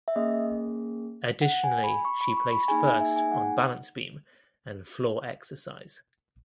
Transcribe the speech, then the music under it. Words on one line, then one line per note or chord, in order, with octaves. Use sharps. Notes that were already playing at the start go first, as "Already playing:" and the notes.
Additionally she placed first on balance beam and floor exercise.
E5
A#3 C#4 G#4 D#5
F#5
G#5
B5
C#6
B5
C#6
B5
A#3 D#4 G#4 G#5
G#5
E5
G#5
F#5